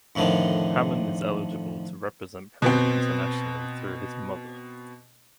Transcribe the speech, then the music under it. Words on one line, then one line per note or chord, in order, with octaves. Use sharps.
Hammond is eligible to represent Peru internationally through his mother.
F2 A2 D3 D#3
B2 B3 C4